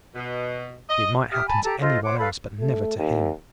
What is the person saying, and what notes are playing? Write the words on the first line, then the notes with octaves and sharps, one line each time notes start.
It might happen to any one else, but never to him!
B2
D#5
G4 E5 D#6 F6
G#5 A5 B5
G4 A4 A5 A#5
F4 A4 C5 D#5
C5 C#5 F#5 D6
A4 B4 F5 B5
A3
D#2